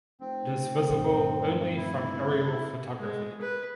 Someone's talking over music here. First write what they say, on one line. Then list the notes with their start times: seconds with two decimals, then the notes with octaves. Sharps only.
It is visible only from aerial photography.
0.21 F1 C4
0.90 G2 A#2
1.77 E4
2.99 G#3
3.42 B4